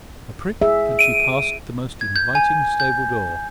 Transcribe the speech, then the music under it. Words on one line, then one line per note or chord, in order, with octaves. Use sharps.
A prick, and she passed the most inviting stable-door.
G#4 E5
D7 D#7
G#6
G6
G#5
G6